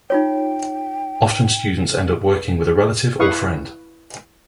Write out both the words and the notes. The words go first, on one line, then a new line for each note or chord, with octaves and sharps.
Often students end up working with a relative or friend.
D#4 F4 C#5 G5
E4 B4 F5 C#6 D#6